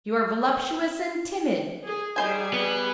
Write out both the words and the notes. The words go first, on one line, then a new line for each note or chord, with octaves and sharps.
You are voluptuous and timid!
G#4
G3 D#4 G#4 C5 G#5
B3